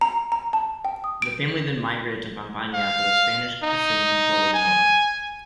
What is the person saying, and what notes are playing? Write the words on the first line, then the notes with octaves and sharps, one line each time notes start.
The family then migrated to Pampanga after the Spanish assumed control of Manila.
A#5
A#5
A5
G5
D#6
D7
F5
D#4
G#5